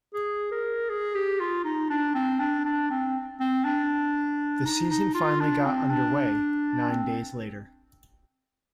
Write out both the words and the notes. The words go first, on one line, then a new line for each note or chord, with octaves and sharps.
The season finally got underway nine days later.
G#4
A#4
G#4
G4
F4
D#4
D4
C4
D4
D4
C4
C4
D4
D#4
D#4
F4
D4
C4
D4
C4